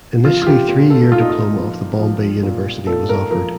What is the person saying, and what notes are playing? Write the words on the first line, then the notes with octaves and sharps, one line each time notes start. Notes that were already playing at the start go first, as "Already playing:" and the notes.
Initially three year diploma of the Bombay University was offered.
F3 F4
F4
G4
A#2
A4
A#2 F4
D#4
F4
F3
F3
A#2
A#2 A4
A#4
F3 A#4